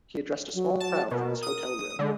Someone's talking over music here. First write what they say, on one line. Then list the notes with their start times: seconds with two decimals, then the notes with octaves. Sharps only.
He addressed a small crowd from his hotel room.
0.54 F#3
0.80 A5
1.11 B2 A#4
1.42 D#6
1.99 D3 G#3